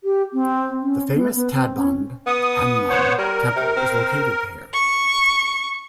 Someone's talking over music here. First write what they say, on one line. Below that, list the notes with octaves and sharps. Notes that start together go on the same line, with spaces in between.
The famous Tadbund Hanuman temple is located here.
G4
C4
C#4
B3
B3
C4
C#4
B3 D#6
C5 C#5 F#5
G3 A#4
C3
C4
C#6